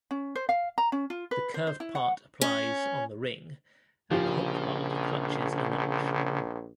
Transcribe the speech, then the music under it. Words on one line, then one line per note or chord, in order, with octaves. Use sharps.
The curved part applies on the ring, and the hooked part clutches a notch.
C#4
C5
F5
A#5
C#4
F4
B4
C5
C5
E4
F#5
C#4
A#1 C#3 F3 G4